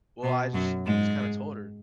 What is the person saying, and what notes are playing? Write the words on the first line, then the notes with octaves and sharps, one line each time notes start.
Well, I just just kinda told her
B2
F#2 F#3
G#2 G#3